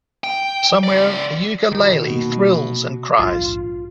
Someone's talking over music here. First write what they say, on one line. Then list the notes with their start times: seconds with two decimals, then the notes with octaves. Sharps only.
Somewhere a ukulele thrills and cries.
0.24 G5
0.84 C#2 D5
1.72 B2 D#3
2.09 C3 A#3 B3
3.19 A#1 D#2 G#2 F4